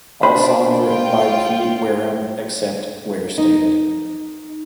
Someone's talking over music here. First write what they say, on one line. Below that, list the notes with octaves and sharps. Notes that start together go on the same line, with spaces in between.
All songs written by Pete Wareham except where stated.
D4 C5 B5
F4 G5
D#4